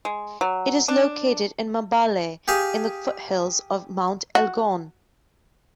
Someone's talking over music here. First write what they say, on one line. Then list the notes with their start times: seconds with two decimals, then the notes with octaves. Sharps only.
It is located in Mbale in the foothills of Mount Elgon.
0.05 G#3
0.41 F#3
0.88 D4
2.48 G4 G#4 F5 G#5
4.35 F#4